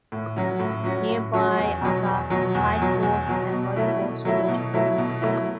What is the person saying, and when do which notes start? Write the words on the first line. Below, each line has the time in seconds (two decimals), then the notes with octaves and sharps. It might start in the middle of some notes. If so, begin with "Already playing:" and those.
Nearby are the High Force and Low Force waterfalls.
0.12 A2
0.36 F#3 C#4 F#4
0.59 A2
0.84 F#3 C#4 F#4
1.09 A2
1.34 F#3 C#4 F#4
1.57 E2
1.81 B2 F#3
2.06 E2
2.30 B2 F#3
2.55 E2
2.79 B2 F#3
3.03 E2
3.27 B2 F#3
3.52 B2
3.76 F#3 A3 E4
4.00 B2
4.25 F#3 A3 E4
4.48 B2
4.74 F#3 A3 E4
4.98 B2
5.22 F#3 A3 E4